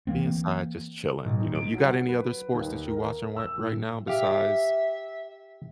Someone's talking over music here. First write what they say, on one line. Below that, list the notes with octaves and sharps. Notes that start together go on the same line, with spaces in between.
Be inside just chilling, you know? You got any other sports that you're watching white right now besides
E3 F#3 A#3 C4
B1
D#4
D7
F#3
B4
D#2
A#4
E6
A2
G4 E5 F5